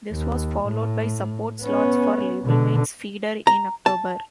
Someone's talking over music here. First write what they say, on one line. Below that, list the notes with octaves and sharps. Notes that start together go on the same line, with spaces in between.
This was followed by support slots for label mates Feeder in October.
D#2
A2
B3 C#4
B2 D3
A#5
A5